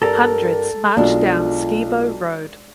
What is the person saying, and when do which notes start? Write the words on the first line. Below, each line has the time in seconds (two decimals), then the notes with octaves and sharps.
Hundreds marched down Skibo Road.
0.02 G2 C4 G4 A4 A#4 A#5
0.97 B1 G#3 D4 F4